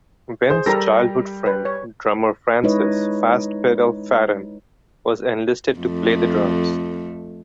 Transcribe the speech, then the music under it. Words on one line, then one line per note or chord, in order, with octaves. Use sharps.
Ben's childhood friend, drummer Frances "Fast Pedal" Farran was enlisted to play the drums.
G#4 C5
G3 G4 A4 A#4 A#5 A#6
B4
C#5
G#3 D#4 E4 B4 C#5 D#5
F2 A3